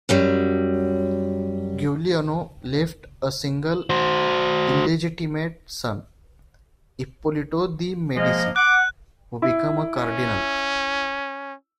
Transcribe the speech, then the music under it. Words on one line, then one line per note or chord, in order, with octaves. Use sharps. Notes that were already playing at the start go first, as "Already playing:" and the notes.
Giuliano left a single illegitimate son, Ippolito de' Medici, who became a cardinal.
F#2 F#3 G3
F#4 C5
F3 G#3 A#3 D#5
F#5 D6 F#6
E4
C#4